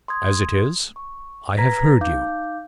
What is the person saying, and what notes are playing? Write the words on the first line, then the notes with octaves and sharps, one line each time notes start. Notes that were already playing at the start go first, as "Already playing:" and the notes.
As it is, I have heard you.
C6 D#6 G#6
C#6
B4 A#5 G#6 A#6 B6
D#4 F5 D6 G6